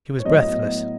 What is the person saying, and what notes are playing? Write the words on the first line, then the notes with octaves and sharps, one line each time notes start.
She was breathless.
C#5
A2 F#3 B3 D#5